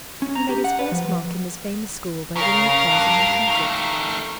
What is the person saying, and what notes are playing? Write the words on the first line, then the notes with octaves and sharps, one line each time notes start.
He made his first mark in this famous school by winning a prize in mathematics.
C#4
A#5
G4
F#5
B4
F3
C#3 A#4 F5
G2
D#3 A3